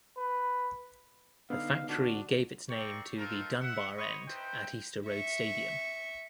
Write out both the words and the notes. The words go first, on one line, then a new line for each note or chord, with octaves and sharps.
The factory gave its name to the "Dunbar End" at Easter Road Stadium.
B4
D3 B3 D#4 F5
D3 D4 F#4
A#3 C4 D5 G5 C#6
C4 D#4 F4 A4 A#4
E5 F#5
C5 C#5 D#5 B5 C#6
D#4 E4 B4 C5 G5
E5 C#6